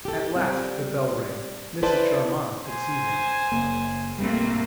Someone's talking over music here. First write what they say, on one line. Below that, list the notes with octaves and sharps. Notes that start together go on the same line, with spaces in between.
At last the bell rang: Mrs. Charmond could see him.
G4 A4
G3 C4
E4 B4 C5 D5 A5
C5 G#5
F#1 A#3
B1 G2 G3 A3 A#3 C4